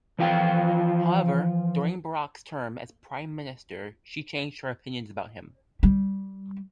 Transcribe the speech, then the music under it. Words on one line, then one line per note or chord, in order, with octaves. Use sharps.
However, during Barak's term as prime minister she changed her opinions about him.
E3 F3 F4 G5
G3